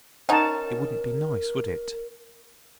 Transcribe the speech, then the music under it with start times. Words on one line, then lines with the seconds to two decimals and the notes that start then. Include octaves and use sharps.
It wouldn't be nice, would it?
0.29 C#4 D#4 A#4 F#5 A5